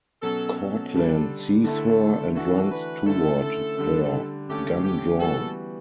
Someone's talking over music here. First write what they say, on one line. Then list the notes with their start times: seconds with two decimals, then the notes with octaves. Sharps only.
Courtland sees her and runs toward her, gun drawn.
0.22 B2 F#3 C#4 A4
0.58 A4
0.93 D3 G3 D4
1.64 D3 A3 E4 A4
2.35 E3 A3 D4 F#4 A4
2.71 B4
3.06 D3 A3 C#4 E4 A4
3.78 D3 G3 D4
4.49 D3 A3 C#4 G4
4.84 G4
5.19 E3 G3 B3 F#4 A4